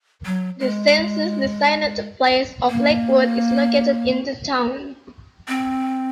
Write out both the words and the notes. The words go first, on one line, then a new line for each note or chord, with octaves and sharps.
The census-designated place of Lakewood is located in the town.
F#3
G#3
A#3
C4